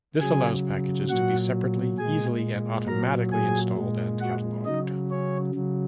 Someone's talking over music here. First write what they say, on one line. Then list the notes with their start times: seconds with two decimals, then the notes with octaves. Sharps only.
This allows packages to be separately, easily and automatically installed and catalogued.
0.20 C#3 F#3 G#4 G#5
1.10 A#2 F#3 F#4 F#5
1.99 A#2 G#3 G#4 G#5
2.88 A#2 F#3 A#4 A#5
3.32 G#4 G#5
3.77 A#2 G#3
4.21 F#4 F#5
4.65 C#3 F#3 D#4 D#5
5.11 C#4 C#5
5.55 C#3 F#3